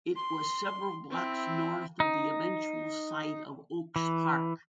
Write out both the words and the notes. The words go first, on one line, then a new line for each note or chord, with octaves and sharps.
It was several blocks north of the eventual site of Oaks Park.
C6
C4 E4
D#4
E3